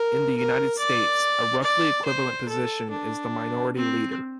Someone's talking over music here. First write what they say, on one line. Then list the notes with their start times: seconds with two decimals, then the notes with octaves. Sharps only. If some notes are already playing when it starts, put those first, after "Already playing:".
In the United States, a roughly equivalent position is the minority leader.
Already playing: A#4
0.37 A#4
0.79 D5
1.63 D5
2.05 C5
2.49 A4
2.90 D4
3.75 C4